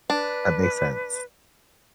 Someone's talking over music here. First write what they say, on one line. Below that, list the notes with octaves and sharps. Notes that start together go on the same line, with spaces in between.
That makes sense.
D4 B4